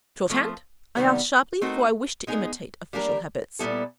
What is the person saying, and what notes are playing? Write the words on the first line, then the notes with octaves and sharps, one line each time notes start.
'Shorthand?' I asked, sharply, for I wished to imitate official habits.
F3 A3 C4
C3 D#3 G3 B3
A3 C4 D#4 F#4 A#4
G#3 B3 D#4 G#4
G3 A#3 D4 G4 A#4
A#2 G3 B3 E4 A4